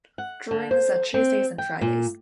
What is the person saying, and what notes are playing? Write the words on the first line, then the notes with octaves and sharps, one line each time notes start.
Drawings are Tuesdays and Fridays.
F#5
D3
C5
C4
G5
A#2